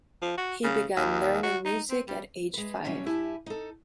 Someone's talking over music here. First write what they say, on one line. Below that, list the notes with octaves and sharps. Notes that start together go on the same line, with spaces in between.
He began learning music at age five.
F3
F#4
C#3
D#2
F#4
D#4
C4
G3
G#3 B4
B2 F#3 G3 A3 B3 C#4
G2 E4 G4 E5 G#5 A5
D#4 A4